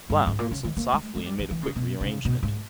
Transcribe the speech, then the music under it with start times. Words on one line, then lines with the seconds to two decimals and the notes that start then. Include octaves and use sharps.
Blount whistled softly and made a quick re-arrangement.
0.10 G2
0.27 G#2
0.39 A#2
0.51 C#3
0.64 D#3
0.77 A#3
0.93 G#3
1.15 G#3
1.26 G3
1.39 E3
1.51 E3
1.63 C#3
1.76 B2
2.01 C#3
2.25 B2
2.43 G#2